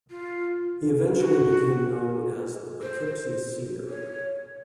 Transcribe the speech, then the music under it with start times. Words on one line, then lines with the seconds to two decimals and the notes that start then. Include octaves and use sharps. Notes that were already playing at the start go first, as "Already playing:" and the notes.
He eventually became known as "the Poughkeepsie Seer".
0.11 F4
1.19 F#4
2.82 C5
3.90 C#5